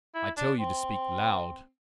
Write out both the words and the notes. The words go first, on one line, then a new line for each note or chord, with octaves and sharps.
"I tell you to speak loud."
E4
D4
C4